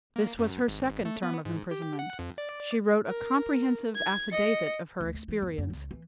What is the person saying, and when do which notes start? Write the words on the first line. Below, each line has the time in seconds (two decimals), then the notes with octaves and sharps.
This was her second term of imprisonment. She wrote a comprehensive affidavit of her experience.
0.16 A#3
0.39 F#2
0.68 G#1
1.05 A3
1.23 B3
1.45 G#2
1.71 G4
1.99 F#5
2.19 F2
2.38 D5
3.06 A#4
3.95 G#6
4.32 D#5 C#7
5.01 D2
5.14 A3
5.28 E3
5.42 F2
5.58 F#2
5.70 C#2
5.91 E3